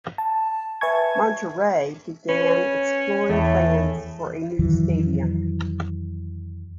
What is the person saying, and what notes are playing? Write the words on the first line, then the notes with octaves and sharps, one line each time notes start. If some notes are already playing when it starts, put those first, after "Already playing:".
Monterrey began exploring plans for a new stadium.
A5
B4 E5 G#5 A5 C#6 G#6
C#4 B4
E2 A2 A3
F2 D#3 E3 F#3